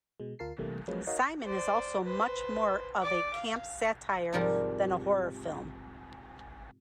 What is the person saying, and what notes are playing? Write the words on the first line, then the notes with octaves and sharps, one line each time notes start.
"Simon" is also much more of a camp satire than a horror film.
B2 G#3
D2 F4 A#4 A5 C7
C3 E3 G3 A3 A#3
F3 F#3 G#3 A#3 C#4 B4
D#4 F#4 A#4 C#5 D#5 F5
C5 D5
B4 C5
D5 D6
F5
G#2 C3 F3 G3 G4 A#4